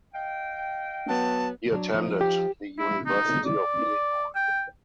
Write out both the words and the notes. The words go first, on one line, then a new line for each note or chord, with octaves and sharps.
He attended the University of Illinois.
D#5 F5 G5
F#3 B3 A5
F#3 D4
F3 D#4
G4
E4
D#4
D5
G5